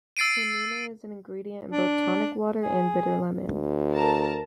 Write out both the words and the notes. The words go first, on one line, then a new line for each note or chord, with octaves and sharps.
Quinine is an ingredient in both tonic water and bitter lemon.
E6 A6 C7 D7 D#7
D4
G#4
D2
A#4 A5 A#5